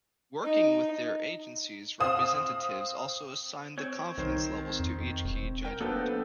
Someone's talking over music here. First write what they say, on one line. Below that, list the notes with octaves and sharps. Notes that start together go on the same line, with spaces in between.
Working with their agencies, representatives also assign the confidence levels to each key judgment.
D#4 D#5
C4 F5 D#6 E7
C4 C#5 G#6
C2 D#3 C5
F2
E1
A#4 G5
F#3 A#3 B3 D4 A4 B4 C5